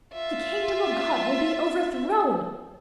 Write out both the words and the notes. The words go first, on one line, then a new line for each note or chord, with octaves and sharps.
The kingdom of God will be overthrown...
F4 E5